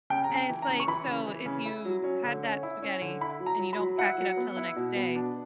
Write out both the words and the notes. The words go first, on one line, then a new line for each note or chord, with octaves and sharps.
And it's like, so if you had that spaghetti and you don't pack it up till the next day,
C#3 G5
A#5
C#3
G5
E3
A#5
C#3
C#6
E3 B5
C#3
E3
C#3
E4
F#3
C#4
D3
C#4
E4
C#4
D3
E4 B5
F#3
A#5
F#3
B5
F#3
E4 F#5
F#3
B3
E4
B2
B3
D4